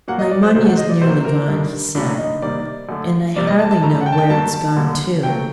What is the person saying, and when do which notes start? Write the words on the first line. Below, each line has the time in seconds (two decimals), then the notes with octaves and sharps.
"My money is nearly gone," he said, "and I hardly know where it's gone to."
0.08 A#2 F#3 A#3 F#5
0.19 D#5
0.31 D5
0.43 C5
0.55 C3 D#3 F#3 A#3 C5
0.66 F#5
0.77 D#5
0.90 D5
1.01 C3 F#3 A#3 C5
1.25 A#4
1.48 G2 D#3 G3
1.95 A2 F#3 A#3 D4
2.18 D#4
2.42 C3 D#3 G3 A#3 D5
2.89 F#2 D3 A3
3.35 C3 G3 A#3 D5
3.47 D#5
3.59 A5
3.71 A5
3.82 A2 A3 A#5
3.95 A5
4.01 F#5
4.06 G5
4.12 A5
4.18 G5
4.30 G2 F#3 A#3 A5
4.53 A5
4.76 F#2 D3 G3 A#3
5.23 A#2 F#3 A3 G5